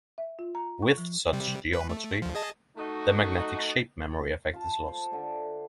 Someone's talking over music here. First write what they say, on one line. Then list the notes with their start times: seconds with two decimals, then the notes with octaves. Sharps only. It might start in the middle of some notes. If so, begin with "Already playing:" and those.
With such geometry the magnetic shape memory effect is lost.
0.18 E5
0.39 F4
0.55 A#5
0.82 C#6
0.98 F3
1.33 C3 G3
1.73 B4
1.89 A3
2.22 D2 F3
2.35 G#4 D#5 A5
2.77 A3 D#4 F#4
4.53 F4 A5
4.86 A4 C5
5.12 D3 D5 E5 G#5